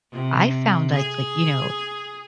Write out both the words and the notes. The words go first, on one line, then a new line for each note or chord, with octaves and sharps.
I found, like like, you know,
C3
G#4